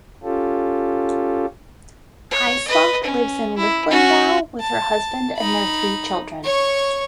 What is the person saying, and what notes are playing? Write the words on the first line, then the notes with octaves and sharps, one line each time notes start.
Hyslop lives in Linlithgow with her husband and their three children.
C#4 F4 G4 A4
C#5
B4 D#5
C#4
E4
C#4 F#4
A5
D#4 B5
C#5 C#6